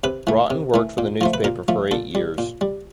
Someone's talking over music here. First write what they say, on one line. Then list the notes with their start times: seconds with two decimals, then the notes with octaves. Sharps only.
Broughton worked for the newspaper for eight years.
0.04 C3 B4
0.27 E3 A3
0.50 C3
0.74 E3 A3
0.98 A#2
1.21 F3 A3 C5
1.34 B4
1.44 A#2 A#4
1.68 F3 A3
1.91 A#2 A4
2.15 G3
2.38 A#2
2.61 G3